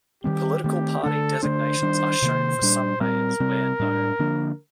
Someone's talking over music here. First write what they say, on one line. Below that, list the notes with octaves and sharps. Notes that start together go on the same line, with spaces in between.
Political party designations are shown for some mayors, where known.
D#3 G3 C4 G4
D#3 A3 C4 G4
D3 A3 D4 A4
D3 A3 D4 C5
D#3 G3 D4
C3 D#3 A#3
A#2 G3 D4
A#2 G3 C4 A#4
C3 G3 C4
A2 G3 A#3 D4
D3 F3 A#3 D4